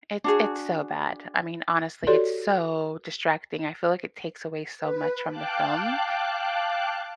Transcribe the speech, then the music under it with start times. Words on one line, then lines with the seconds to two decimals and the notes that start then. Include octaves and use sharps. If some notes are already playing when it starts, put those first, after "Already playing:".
It's it's so bad. I mean, honestly, it's so distracting. I feel like it takes away so much from the film.
0.24 D4 F#4 G#4
2.07 F#4 G4 A4 C#5 D5 C6
4.78 B4
5.28 F5 G5 A5 D6 F#6